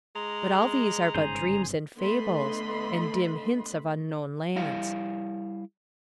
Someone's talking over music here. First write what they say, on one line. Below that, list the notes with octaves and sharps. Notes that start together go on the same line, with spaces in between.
But all these are but dreams and fables, and dim hints of unknown lands.
G#3 A#5
G1 G#2 C#3 G#4 C5
D3 A3 B3 D#5 B5 C6
G3 E4 F5